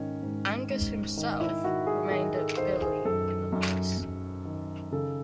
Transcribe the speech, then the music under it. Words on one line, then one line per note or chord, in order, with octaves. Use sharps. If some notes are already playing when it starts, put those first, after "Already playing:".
Angus himself remained at Billie in the Merse.
Already playing: G#2 D#3 C#4
G#2
G#2
D#3
E4
D#3 F#4
G#4
D#3 G#4
A4
D#3 C5
G#4
F#2 A4
F#2
F#2
D#3
C#3 A4